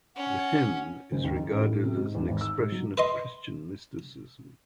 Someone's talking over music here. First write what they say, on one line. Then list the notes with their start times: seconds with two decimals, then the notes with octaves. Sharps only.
The hymn is regarded as an expression of Christian mysticism.
0.16 C#4 F#5
1.12 F#1
1.24 D#2
1.36 D#4
1.49 A1
1.61 A2
1.84 C3
1.96 G#2
2.15 E2
2.28 G#1
2.41 E6
2.58 G#2
2.72 F#3
2.98 B4 D#5 C6